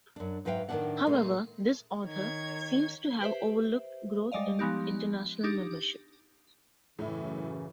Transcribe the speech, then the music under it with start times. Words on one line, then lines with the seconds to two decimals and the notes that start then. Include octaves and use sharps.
However, this author seems to have overlooked growth in international membership.
0.16 F#2 D4
0.45 G#2 F#3 B4 E5 F5 G5
0.69 A2 D#3 F#3 C#4 D4 F#5
1.06 A#2 G#3 A3
2.04 D#3 C#5 G#6
3.21 G4 B4 C5 E5
4.32 G3 G#3 D5 D#5 F5
4.59 F3 G#3 B3 D#4 G4
5.44 D4 D#4 G4
6.99 F#2 A2 C#3 E3 E4